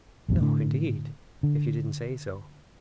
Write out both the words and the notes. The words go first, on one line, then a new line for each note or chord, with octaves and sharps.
"No, indeed, if you didn't say so."
A#1 E2 G2
A2 D3
D3